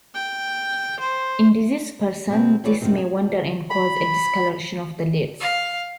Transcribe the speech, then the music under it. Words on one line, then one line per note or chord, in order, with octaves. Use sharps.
In diseased persons these may wander and cause a discoloration of the lids.
G5
C5
B2 G#3 C4
E3 F#3 G#4 C#5 D5
F#2 C3 D#3
G#4
F3
B5
F5